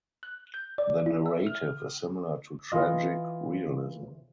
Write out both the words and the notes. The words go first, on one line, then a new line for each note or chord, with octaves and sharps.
The narrative is similar to tragic realism.
F#6
G6
D5
E4
E5
F6
E3 F4 D#5